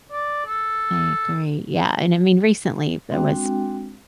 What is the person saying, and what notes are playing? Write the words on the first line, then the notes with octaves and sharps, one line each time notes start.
I agree, yeah, and I mean, recently there was
D5
A4
G#3 C4 D4 F#4 G5